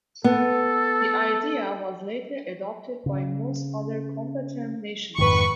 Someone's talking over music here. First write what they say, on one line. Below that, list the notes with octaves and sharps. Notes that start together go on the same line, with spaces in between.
The idea was later adopted by most other combatant nations.
B3 A4
C#3
F2 G#2 D#3 B4 C#6